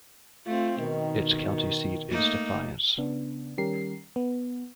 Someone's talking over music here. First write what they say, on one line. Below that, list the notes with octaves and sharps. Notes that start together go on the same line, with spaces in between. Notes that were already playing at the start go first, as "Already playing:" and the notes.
Its county seat is Defiance.
A3 C4 F4
B2 D#3
A3 A#3 D#4
C#3 B3 D4
D#3 G3 C#4 G4 A#4 C7
B3